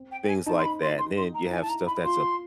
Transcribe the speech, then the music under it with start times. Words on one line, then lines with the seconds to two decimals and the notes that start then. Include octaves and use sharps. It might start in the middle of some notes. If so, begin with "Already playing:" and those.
things like that. Then you have stuff that’s, uh
Already playing: C4
0.11 G5
0.23 G5
0.28 G#5
0.46 D#4 A5
0.57 C6
0.63 B5
0.81 C6
0.98 C6
1.17 C6
1.34 A#5
1.51 E4 G#5
1.61 A5
1.69 A#5
1.86 B5
2.04 F4 C6